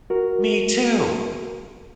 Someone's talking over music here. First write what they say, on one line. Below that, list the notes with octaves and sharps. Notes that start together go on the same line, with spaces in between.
Me too.
F#4 A#4